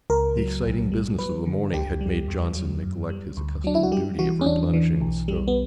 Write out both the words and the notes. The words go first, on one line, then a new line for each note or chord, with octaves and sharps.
The exciting business of the morning had made Johnson neglect his accustomed duty of replenishing the stove.
C#2 A#4
F#3
B1
G3
F#3 B4
D3
C#2 G4
G3
E2
F#3
F#2
G3
D2
F#3 D4
E4
F#4
G3 G4
E3 F#4
C#4
E2 D4
E3
B1
G3
B3